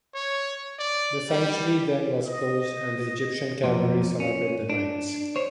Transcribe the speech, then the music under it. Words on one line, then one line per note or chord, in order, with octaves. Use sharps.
The sanctuary then was closed and the Egyptian cavalry surrounded the knights.
C#5
D5
G3
D#5
B1 F2 A#2
C#4
D4
C5 C#5